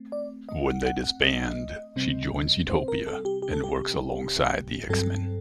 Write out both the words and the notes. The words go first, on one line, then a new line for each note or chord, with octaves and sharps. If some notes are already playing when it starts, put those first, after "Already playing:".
When they disband she joins Utopia and works alongside the X-Men.
Already playing: A3 C4
D5
D#5
F#5
F#5
F#5
D#5
C3 G3 C4
C5
A#4
A4
G4
G4
A4
G4
G2 F#3 C4 A4